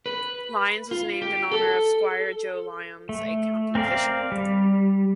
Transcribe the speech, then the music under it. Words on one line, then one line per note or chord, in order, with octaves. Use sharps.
Lyons was named in honor of Squire Joe Lyons, a county official.
B4
F4
G4
A4
A3
C4 A#4 D5 F5
G3